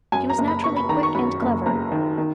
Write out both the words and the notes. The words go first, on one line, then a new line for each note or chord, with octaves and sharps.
She was naturally quick and clever.
F#2 G#5
A#5
F#1
B5
F#1 C#6
B5
D#3 A#5
C#6
F#2 B5
F#1
F#1 A#5
D#3
D#3